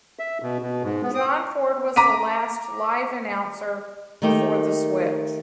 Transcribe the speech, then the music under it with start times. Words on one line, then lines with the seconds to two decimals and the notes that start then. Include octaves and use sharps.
John Ford was the last live announcer before the switch.
0.19 E5
0.42 B2
0.62 B2
0.83 G#2
1.03 B3
1.15 D#6
1.96 A#5 D6 B6 D#7
4.22 D#3 A3 A#3 D#4 G4